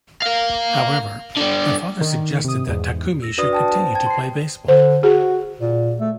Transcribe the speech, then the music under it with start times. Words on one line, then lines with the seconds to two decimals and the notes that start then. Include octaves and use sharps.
However, the father suggested that Takumi should continue to play baseball.
0.22 A#4 F5
1.37 D3 G3
2.01 D#3
2.44 C3 D#6
2.68 E2 G#2
3.22 E6 A#6
3.38 D4 F#4 B4 D5 D#6
3.53 G5 A5
3.76 C5
3.95 G5 A5 G#6
4.07 C6 C7
4.68 D3 C5
5.03 F#4 G#4
5.60 A#2
6.00 A3